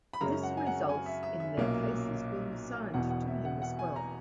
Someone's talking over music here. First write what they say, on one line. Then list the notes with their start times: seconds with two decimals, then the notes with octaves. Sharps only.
This results in their cases being assigned to him as well.
0.13 B5
0.21 F#2 C#3 G#3 C#4 A#5
0.43 F#5
0.57 G#5
0.67 F#5
0.89 G#5
1.06 E5
1.23 E5
1.40 E5
1.57 B1 A#2 F#3 A#3 C#4
2.94 E1 E2 B2 F#5
3.10 F#5
3.27 E5
3.45 F#5
3.62 F#5
3.79 G#5
3.96 A#5